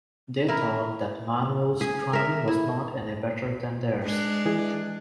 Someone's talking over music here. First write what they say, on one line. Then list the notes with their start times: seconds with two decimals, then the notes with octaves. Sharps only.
They thought that Manuel's driving was not any better than theirs.
0.48 E4 A#4
1.81 G#4
2.13 A#4 E5
2.48 E4
4.03 G#3 D4
4.45 E3 G#4